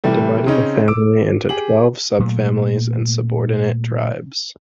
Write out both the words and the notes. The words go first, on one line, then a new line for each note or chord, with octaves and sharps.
He divided the family into twelve subfamilies and subordinate tribes.
C3 E3 G3 A3
C#3 C4 C#4 D#4
D6 E6 D7
G4 G#4 F#7
A#2 F#3 A3